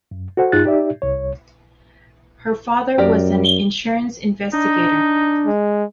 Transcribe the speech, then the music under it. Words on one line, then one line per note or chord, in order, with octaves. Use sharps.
Her father was an insurance investigator.
F#2
F#4 A4 C5 F#5
G2 D#4 F4 G#4 F#6 A6
D#4 G4 D5 E5
C2 C#5
F#2 G4 A#4 D5
D4 D#4
G#3